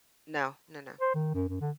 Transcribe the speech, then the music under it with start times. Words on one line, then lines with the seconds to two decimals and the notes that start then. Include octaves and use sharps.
No. No, no.
1.01 C5
1.15 D#3
1.34 F#2
1.49 F#2
1.61 D3